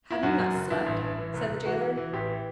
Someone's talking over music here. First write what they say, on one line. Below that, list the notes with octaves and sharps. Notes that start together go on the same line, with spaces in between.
"Have you not slept?" said the jailer.
E4
F#2 F#4
F#2
F#1
G2 E4
A1
A1
E3
C2
C2
E3 F#4
E3
E3
A1 G4
E3